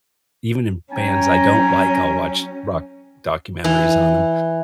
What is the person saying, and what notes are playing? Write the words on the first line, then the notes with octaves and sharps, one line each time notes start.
even in bands I don't like, I'll watch rock documentaries on 'em.
F#3 C#4 G5 G#5 A#5
E3